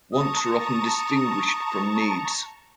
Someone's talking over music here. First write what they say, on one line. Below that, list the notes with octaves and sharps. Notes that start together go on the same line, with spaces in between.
Wants are often distinguished from needs.
A5 A#5 C#6 D#6